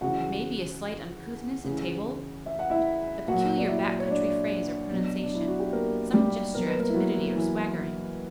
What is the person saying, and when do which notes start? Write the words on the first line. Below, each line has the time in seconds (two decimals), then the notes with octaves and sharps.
It may be a slight uncouthness at table, a peculiar back-country phrase or pronunciation, some gesture of timidity or swaggering.
0.01 C#3 E3 F#4 F#5
1.64 C#3 E3
2.46 E5
2.59 F#5
2.70 E4 E5
3.28 A#2 F#3 F#4 F#5
3.57 D5
3.68 E4 E5
3.99 C#5
4.10 D4 D5
4.91 B2 F#3
5.22 D4
5.35 E4
5.48 F#4
5.59 G4
5.73 A#3 A#4
6.13 G3 G4
6.54 B2 F#3 A#4
6.66 B4
6.79 A#3 A#4
6.89 E4
6.94 F#3 F#4
7.35 E3 E4